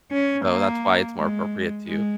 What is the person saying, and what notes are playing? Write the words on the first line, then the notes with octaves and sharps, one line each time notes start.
So, that's why it's more appropriate to
C#4
A#3
G#3
G#3